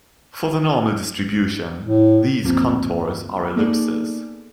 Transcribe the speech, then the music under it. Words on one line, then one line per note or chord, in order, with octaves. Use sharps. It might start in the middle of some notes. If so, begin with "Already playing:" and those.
For the normal distribution, these contours are ellipses.
A2
G1 D2 F3 A#3 C4 F4
A#3 B3 D#4 G#4 A4 D5